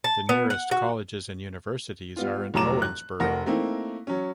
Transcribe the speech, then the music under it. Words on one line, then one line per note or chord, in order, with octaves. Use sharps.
The nearest colleges and universities are in Owensboro.
A5
B3
F#5
F#4
G3 B3 F4
F1 A2 F#3 A#5 D6 E7
F#6
F1 A#4 F#5 A#6
A3 A#3 C4 D#4 E4
F#3 C#4